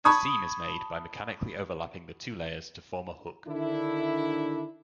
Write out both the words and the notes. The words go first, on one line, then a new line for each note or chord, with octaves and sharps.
The seam is made by mechanically overlapping the two layers to form a hook.
A5 B5 C#6 D#6 G#6
D3 D#3 D4 E4